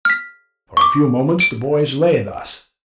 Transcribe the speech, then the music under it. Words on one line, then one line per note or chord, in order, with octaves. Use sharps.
For a few moments the boys lay thus.
F6 B6
C#6 D6
D7